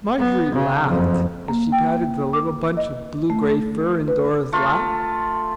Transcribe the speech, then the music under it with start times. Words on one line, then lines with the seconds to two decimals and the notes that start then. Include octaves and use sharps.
Marjorie laughed, as she patted the little bunch of blue-gray fur in Dora's lap.
0.19 B3
0.55 C#3
0.89 F#1 F2
1.48 A#3
1.72 G5
2.33 D6
2.77 D#5
3.30 A3
4.08 B4
4.52 A3 F4